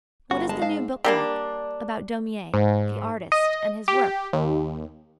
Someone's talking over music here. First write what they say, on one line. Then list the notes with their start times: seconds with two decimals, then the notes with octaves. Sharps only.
What is the new book like, about Daumier, the Artist and his Work?
0.31 G1 F#4
0.49 G#3 A5
0.62 G#2 F5 A5
1.04 G3 A#3 D4
2.54 G#2
3.32 D#5
3.88 G4
4.33 D#2